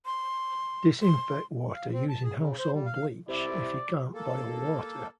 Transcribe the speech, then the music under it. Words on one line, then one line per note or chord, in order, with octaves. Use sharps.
Disinfect water using household bleach, if you can’t boil water.
C6
C6
F5
C4
A5
G#4
C#3
C5
G3
F5
C3 E4 D5
A#3 A4